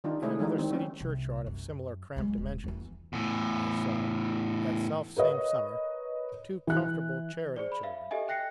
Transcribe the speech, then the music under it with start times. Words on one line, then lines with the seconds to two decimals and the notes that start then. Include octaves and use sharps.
In another City churchyard of similar cramped dimensions, I saw, that selfsame summer, two comfortable charity children.
0.04 D#3 G3 D4 D#4 F4
0.22 G#3 A3 E4 G#4 C#5
0.39 E3 F3 G3 G#3 A#3 D#4
0.56 D#3 C4
0.71 F#3 C4 C#4
1.01 C2
1.46 F#2
2.16 F#3 G#3
2.38 D#1
2.64 E2 E3
3.13 E2 A2
5.16 A#4 B4 C#5 D#5
6.67 E3 F#6
7.56 G#4 C5 D5
7.72 B5
7.83 E5 F5
8.11 G4 A4 D#5 E5 G#5
8.28 G5 F#6 A#6 C7 C#7